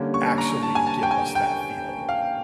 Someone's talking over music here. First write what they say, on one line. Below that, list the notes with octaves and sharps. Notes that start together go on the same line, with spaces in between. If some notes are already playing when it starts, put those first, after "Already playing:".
actually give us that feeling.
Already playing: D3 G3 A#3 C#4
C#6
A#5
A5
G#5
A5
G5
G#5
G5
F5